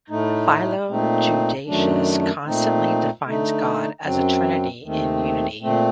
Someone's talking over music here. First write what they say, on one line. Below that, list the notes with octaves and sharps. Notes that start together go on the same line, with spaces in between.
Philo Judaeus constantly defines God as a Trinity in Unity.
A2 A3 D#4
A#2 A3 C4 D#4
F#2 D#3 F#3 A3 D4
A#2 A3 C4 D#4
D3 A3 D#4
F#2 F#3 C4
D#2 D#3 A3 C4
A#2 A3 C4